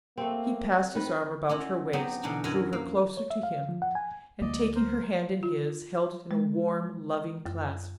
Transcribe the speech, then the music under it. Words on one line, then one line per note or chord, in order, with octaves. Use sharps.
He passed his arm about her waist, drew her closer to him, and taking her hand in his, held it in a warm, loving clasp.
A3 A#3 C4
D#3 C4 B4
C#4 E4 F#4
F#3 B3 C4 D#4 G4
B2 D3 E3 D4 D#4
F#2 E4 F#4 A#4 D#5 G#5
A#3
C#5
E5
F5
F3
F#5
G#5
D2 G#3 A#3 D5 D#5
A#4 C5
F4
G#3
F#2